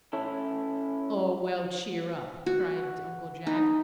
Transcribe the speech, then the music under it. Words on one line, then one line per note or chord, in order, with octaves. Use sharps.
"Oh, well, cheer up!" cried Uncle Jack.
C#4 E4 A4
F#4
D#4